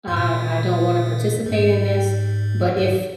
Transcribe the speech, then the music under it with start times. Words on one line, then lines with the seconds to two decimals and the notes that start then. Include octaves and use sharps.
"I I don't wanna participate in this," but if
0.08 G#2
0.16 A#2
1.46 G#2
2.77 G#2